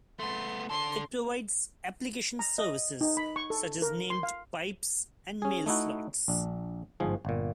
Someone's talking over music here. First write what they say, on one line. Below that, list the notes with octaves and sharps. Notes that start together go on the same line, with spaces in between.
It provides application services such as named pipes and MailSlots.
A3 B3 C6
D4 A4 C6
A#5
D#5
D#4
B5
C#6
A4
A#4
C6
F5
C#4 G#4
A3 D#4 E4 F#4
A#1 D4
G1 G#2 F3 G#4
G1 A#2